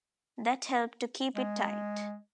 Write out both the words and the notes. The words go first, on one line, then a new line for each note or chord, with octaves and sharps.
That helped to keep it tight.
G#3